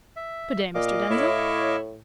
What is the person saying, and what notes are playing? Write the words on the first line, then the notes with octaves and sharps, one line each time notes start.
Good-day, Mr. Denzil.
E5
A#2 D#5 F5 D6
A2 E4 C#5